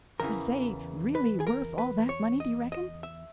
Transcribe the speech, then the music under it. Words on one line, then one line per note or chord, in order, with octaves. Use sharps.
"Was they really worth all that money, do you reckon?"
E2 C#3 E3 A#4
B4
G#4
A#4
B4
C#5
D#5
D#5
E5